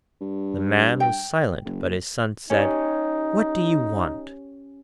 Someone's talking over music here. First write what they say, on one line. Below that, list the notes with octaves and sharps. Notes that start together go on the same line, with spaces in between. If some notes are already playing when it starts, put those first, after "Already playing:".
The man was silent, but his son said, 'What do you want?'
G2
G5
F#1
C#4 D#4 G4